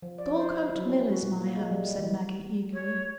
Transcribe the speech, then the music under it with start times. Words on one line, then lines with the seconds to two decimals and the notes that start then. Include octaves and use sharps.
"Dorlcote Mill is my home," said Maggie, eagerly.
0.02 F3
0.18 D5
0.36 C5
0.63 E4
0.75 F#3
0.89 C#4
1.08 F#4
1.22 A#2
1.41 A#3
1.56 G#3
1.71 G3
1.99 E3
2.73 C#5